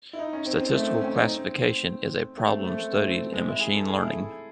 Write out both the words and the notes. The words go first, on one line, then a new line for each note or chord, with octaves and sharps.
Statistical classification is a problem studied in machine learning.
E4
D#4
C#4
C4
C4
A3
C4
C#4
D#4
C4
A3
C4
A3
A3
A3
C4
G#3
E4
G#4
A4
G#4
E4